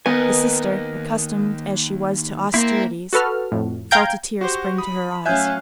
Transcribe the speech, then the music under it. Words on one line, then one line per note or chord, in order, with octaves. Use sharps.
The sister, accustomed as she was to austerities, felt a tear spring to her eyes.
D#2 B3 A#4 D#5 G#5
A#3 C4 E4 A#4
F#4 A4 B4 F6
F2 A2
F5 G5 A#5 G6 G#6 D7
F#4 G4 C5
B5 D#6
A2 F#3 C#4 E5 F5 G#5 F#6 G6